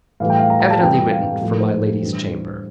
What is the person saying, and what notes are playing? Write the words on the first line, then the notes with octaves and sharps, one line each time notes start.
Evidently written for my lady's chamber.
A2 E3 G3 F5
G5
F5
A#5
A#5
A5
F2 C3 E3 G3 G5
F5
A2 F3
A#4
C5
G2 E3 G3